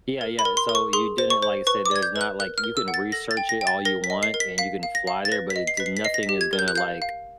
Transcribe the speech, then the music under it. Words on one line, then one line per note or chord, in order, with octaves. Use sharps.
Yeah, yeah, so you didn't like I said, there's not like, you can research it all you want and you can fly there, but it d nothing is gonna, like,
A#4
B5
A#4
C6
A#4
C#6
G#4 C6
C5
C#6
C5
B4 C#6
D6
D5 G#6
G6
B4
F#6
A#4 F#6
F6
A#4
E6
F#5
A6
A4 A#6
A6
G5
A#6
G5
A6
A#4 A#6
B6
D#5
C7
A#4
B6
F5 B6
F5
A#6
F5
A6
B4 A#6
B6
D#5
C7
B4 B6
C7
B6
D#5 C7
A#6
B6
G4
G#6
A#4
G6
F#6
F5 G6
F5